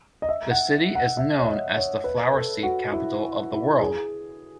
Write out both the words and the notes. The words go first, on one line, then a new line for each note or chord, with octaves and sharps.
The city is known as the flower seed capital of the world.
D#5
E5
F#5
F#5
E5
C#5
D#5
C#5
B4
A4
F#4
E4
E4
G#4